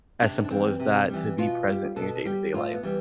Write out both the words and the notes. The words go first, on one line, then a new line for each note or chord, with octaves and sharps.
as simple as that to be present in your day-to-day life,
C3 D4
D4
E3 G3 C4
C3
E3 G3
B2 F4
G3
B2 A4
G3 G4
A2 F4
B3
E3 G3